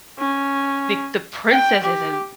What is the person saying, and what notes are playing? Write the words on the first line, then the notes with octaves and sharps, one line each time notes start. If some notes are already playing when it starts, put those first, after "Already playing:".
the the princess is in
C#4
G5
G4